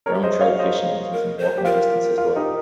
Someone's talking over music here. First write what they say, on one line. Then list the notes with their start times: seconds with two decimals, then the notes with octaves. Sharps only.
Brown trout fishing is within walking distance as well.
0.06 G#4 A#4 C#5
0.14 G4
0.22 G#4 C5 D#5
0.41 C#5 F5
0.59 C5 D#5
1.12 A#4
1.38 C5
1.58 G4
1.65 F4 A#4
2.18 F4
2.36 D#4 G4